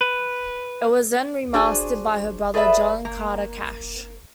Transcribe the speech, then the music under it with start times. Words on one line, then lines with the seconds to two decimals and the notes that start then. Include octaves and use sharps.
It was then remastered by her brother John Carter Cash.
0.01 B4
1.54 D4 F#4 G#4 C5 D5 G#5
2.54 G#4 A4 B4 D5 E5
3.05 A#3